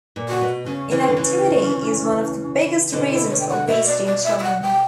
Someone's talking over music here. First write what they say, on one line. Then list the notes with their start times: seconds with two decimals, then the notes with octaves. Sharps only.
Inactivity is one of the biggest reasons for obesity in children.
0.16 A#2
0.29 C#3 F#4
0.41 B2
0.66 C#3 C#4
0.91 C#3 E3
1.08 D3
1.17 C#3 E3
2.92 B2 D3
3.10 E4
3.29 C#5
3.40 G5
3.48 F#5
3.68 B2 E5
3.86 D5
4.05 D5
4.24 E5
4.39 E5
4.43 F#5
4.62 G5